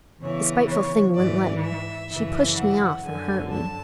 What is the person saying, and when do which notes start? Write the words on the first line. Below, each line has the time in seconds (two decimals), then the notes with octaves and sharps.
The spiteful thing wouldn't let me: she pushed me off, and hurt me.
0.21 E2 C#3 E3 C#5
0.68 C#5
1.15 G#2 E3 D5
1.62 E5
2.09 F#2 C#3 E3
2.56 F#5
3.03 F#2 D3 G#5
3.51 A5